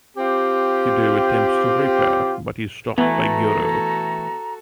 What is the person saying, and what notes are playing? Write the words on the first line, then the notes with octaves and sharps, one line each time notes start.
Kido attempts to rape her but is stopped by Goro.
C4 F4 G4
E3 A3 B3 F#4 A4 A#5